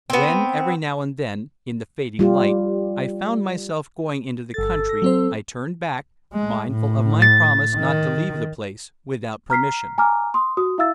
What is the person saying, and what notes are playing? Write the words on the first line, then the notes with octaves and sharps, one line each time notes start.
When, every now and then, in the fading light, I found myself going into the country I turned back, mindful of my promise not to leave the place without permission.
B3 C4
G3 F4 G4
G1 A4 A6
A#6
F#3 C4 C5
G#3
A2
A6
D#3
A#5 F6 B6 C7
G#5 A#5 D6 F6
C6 D#6
F#4 D#6
E4 E5 F5 E6 A6